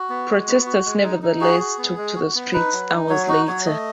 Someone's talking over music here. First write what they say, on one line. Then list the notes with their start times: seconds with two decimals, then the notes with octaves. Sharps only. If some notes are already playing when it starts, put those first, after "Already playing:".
Protesters nevertheless took to the streets hours later.
Already playing: F#4
0.10 B3
0.29 G#3
0.47 B3
0.66 F#4
0.85 G#3
1.04 D#4
1.22 D#4
1.41 F#4 G#4
1.60 F#4
1.78 B3
1.97 G#3
2.16 F#4
2.35 B3
2.53 D#4 B4
2.73 F#3
2.91 D#4
3.09 F#3 C#5
3.28 D#4 F#4
3.47 F#3 C#5
3.66 A3 D#5